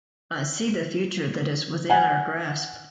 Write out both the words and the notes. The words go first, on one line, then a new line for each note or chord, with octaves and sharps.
I see the future that is within our grasp.
F#5 G#5